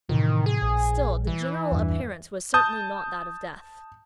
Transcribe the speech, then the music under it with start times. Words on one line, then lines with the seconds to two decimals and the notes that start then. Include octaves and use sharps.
Still, the general appearance was certainly not that of death.
0.09 A2 C3 D#3 E3
0.46 G#4
0.62 A#1
1.27 E3
1.72 E2 G2
2.54 A5 D#6 G6